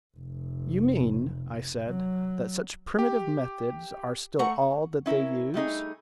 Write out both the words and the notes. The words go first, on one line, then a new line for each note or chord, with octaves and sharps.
"You mean," I said, "that such primitive methods are still all that they use?"
F1
F#3
G4
A3 F#5 A#5 C#6
C#4 E4 A#4
G3 A3 D#4 G#4